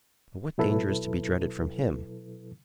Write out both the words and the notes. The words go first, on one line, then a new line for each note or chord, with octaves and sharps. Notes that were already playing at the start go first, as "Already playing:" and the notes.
"But what danger is to be dreaded from him?"
B2 F#3 E4 A4 B4